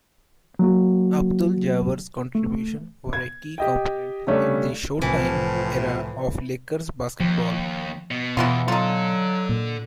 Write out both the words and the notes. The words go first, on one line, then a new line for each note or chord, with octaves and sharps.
Abdul-Jabbar's contributions were a key component in the "Showtime" era of Lakers basketball.
F#3 A#3 F#4
A3
G#6
G4 D#5 G5
C#3 G3 A3 C#4 D4
C2 A2 C3 E3 F3
D#2 F3
B2
E2 B2 E3 B3 F4
F#3 D4 D#4 F4 A4
A#2